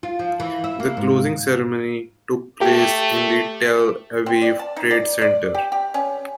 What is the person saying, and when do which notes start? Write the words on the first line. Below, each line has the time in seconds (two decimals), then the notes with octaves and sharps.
The closing ceremony took place in the Tel Aviv Trade Center.
0.03 F4
0.19 F3
0.40 E3
0.64 E5
0.80 A#3
0.97 G#2
2.61 A3 G4
4.26 C4
4.42 D5
4.59 A5
4.77 D#4
4.91 D5
5.22 D5
5.54 G4
5.72 G4
5.94 C#4